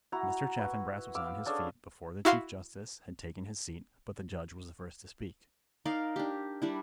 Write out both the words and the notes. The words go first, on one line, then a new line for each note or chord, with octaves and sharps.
Mr. Chaffanbrass was on his feet before the Chief Justice had taken his seat, but the judge was the first to speak.
E4 F#4 A#5
B4
F5 D6 E6
C#4 D4 G#4 A4
E4 F#4 F5 C6
D#4 A#4 D5 F5
D4 G4
G3 D4 E4